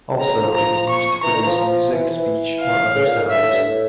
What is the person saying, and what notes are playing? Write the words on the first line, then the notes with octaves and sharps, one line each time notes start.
Also it is used to produce music, speech or other sounds.
C#3 A#5
D3
F3
F3 A#5
C#6
E3 A#5
D3
E3
F3
F3
E3
E3
F5
C#3
A#2
A2
G2 E5
A2
G2
A2